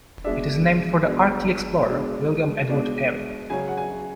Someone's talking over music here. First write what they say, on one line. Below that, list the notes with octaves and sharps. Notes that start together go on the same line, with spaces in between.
It is named for the Arctic explorer William Edward Parry.
B2 G#3 D4 E5
B2 G#3 D4
B2 G#3 D4
B2 G#3 D4
C#3 F#3 C#4 G#5
F#5
G#5